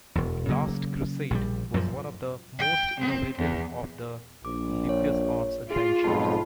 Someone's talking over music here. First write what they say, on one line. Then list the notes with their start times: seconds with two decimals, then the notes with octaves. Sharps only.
"Last Crusade" was one of the most innovative of the LucasArts adventures.
0.15 E1 E2
0.49 C#3 F#3 G3 A#3
1.30 A#1 C#3 G3
1.74 F#2 A#2 F3
2.59 G5
2.99 C4
3.38 E2
4.45 A#1 D6
4.89 C#5
5.71 F4 G#4
6.04 B1 F2 G#2 A5 B5